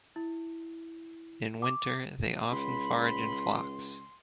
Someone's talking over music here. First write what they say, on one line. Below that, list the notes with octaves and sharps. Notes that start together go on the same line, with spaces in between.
In winter, they often forage in flocks.
E4
D6
C#2 B5 C6